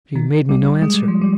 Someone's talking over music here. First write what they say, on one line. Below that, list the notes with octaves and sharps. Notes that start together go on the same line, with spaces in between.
She made me no answer.
D#3
G3
G#3
G3
F3
G3